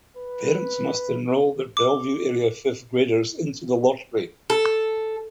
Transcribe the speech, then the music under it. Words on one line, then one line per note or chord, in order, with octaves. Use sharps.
Parents must enroll their Bellevue-area fifth graders into the lottery.
B4
D6
A4